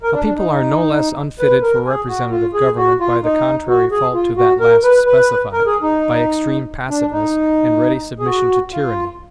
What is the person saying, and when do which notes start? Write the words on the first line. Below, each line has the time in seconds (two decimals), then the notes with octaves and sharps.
A people are no less unfitted for representative government by the contrary fault to that last specified--by extreme passiveness, and ready submission to tyranny.
0.03 A#4
0.13 D4
0.25 D4
0.37 D#4
1.39 B4
1.62 A#4
1.85 G#4
2.08 F#4
2.31 F4
2.54 G#4
2.77 F#4
3.00 F4
3.23 D#4
3.69 F#4
3.92 G#4
4.14 F4
4.37 F#4
4.60 A#4
4.84 B4
5.06 B4
5.52 A#4
5.66 G#4
5.82 D#4
6.90 D4
7.12 D#4
8.19 G#4
8.26 F#4
8.72 F4